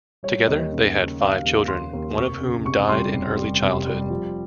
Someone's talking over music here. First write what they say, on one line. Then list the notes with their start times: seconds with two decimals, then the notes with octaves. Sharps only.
Together, they had five children, one of whom died in early childhood.
0.23 G3 C#5
0.47 D#2 D#5
0.72 C#3
0.96 C#3
1.21 D#2 F5
1.44 D#2
1.68 D#2 C6
1.93 D#2
2.17 F1 C#6
2.41 C#3
2.65 F1 C#6
2.89 G3 C6
3.13 F1
3.38 G3
3.61 F1
3.86 G3
4.10 F3